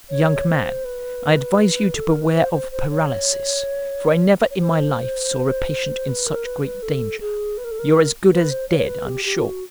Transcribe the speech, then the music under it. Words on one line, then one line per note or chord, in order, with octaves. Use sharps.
Young man, I advise you to beware of paralysis for I never in my life saw a patient in such great danger; you're as good as dead, I'm sure!
C#5
C5
B4
A4
A#4
B4
C5
C5
C5
C#5
C#5
C5
B4
A#4
B4
B4
A4
G#4
B4
A#4
A4
A#4
B4
C5
C#5
B4
G4
G4
F4
F#4